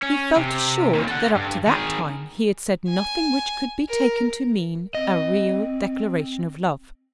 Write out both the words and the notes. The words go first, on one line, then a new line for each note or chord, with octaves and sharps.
He felt assured that up to that time he had said nothing which could be taken to mean a real declaration of love.
C#4
C3
D#2 A#2
A4 F#5
G2
D#3 G#4
G#5
A#4
C4 D#5